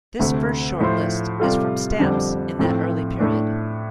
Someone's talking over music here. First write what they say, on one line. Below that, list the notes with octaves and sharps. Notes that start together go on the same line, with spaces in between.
This first short list is from stamps in that early period.
D2 C3 A3
A2 F3 A3 F4 C5
C3 G3 F4 A4
F2 D3 G3
A2 F3 A3 C4
A2 A3 D4